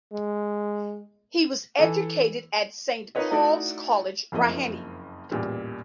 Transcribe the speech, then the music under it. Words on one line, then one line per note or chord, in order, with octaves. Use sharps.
He was educated at Saint Paul's College, Raheny.
G#3
E3 A4
D#4 F4 A#4 B4 C#5 D#5
A3 D#4 E4 F#4 D5 E5
F#1 F2 F3 A#3 D#5 E5
A1 E2 A#2 G3